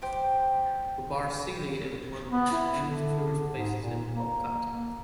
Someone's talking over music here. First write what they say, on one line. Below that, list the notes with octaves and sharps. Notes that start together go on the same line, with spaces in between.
Gobbarsilli is one of the most Famous tourist places in Palkot.
G4 C5 G5
B3
E4
D3
G#2
A#2
A#3